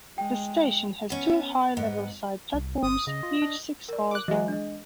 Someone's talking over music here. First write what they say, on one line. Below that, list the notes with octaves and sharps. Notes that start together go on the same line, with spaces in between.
This station has two high-level side platforms each six cars long.
G#3 G5
B3 C#4
G#2 B3
C2
G1 D#6
C#3 D#5
F4
D4
A#4 D5
D6 F#6
E3 G#3 D#5 E5 G#5
D4 D#5